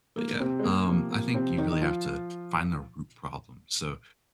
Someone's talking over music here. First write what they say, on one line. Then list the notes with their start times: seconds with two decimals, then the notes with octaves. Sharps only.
But, yeah, um, I think you really have to find the root problem, so
0.17 A#3
0.40 C3 C4
0.59 G#3
0.63 A#3
0.87 C3 F3 A#3
1.10 A#3
1.34 C3 C4
1.58 D#3 D#4
1.72 D#4
1.81 F3 F4